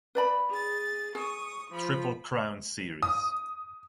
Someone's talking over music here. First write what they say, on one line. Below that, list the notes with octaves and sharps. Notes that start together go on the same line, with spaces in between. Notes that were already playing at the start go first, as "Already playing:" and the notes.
Triple Crown series.
B4 D5 B5
G#4 A6
G#4 C#6 D#6
F3 B5
D#6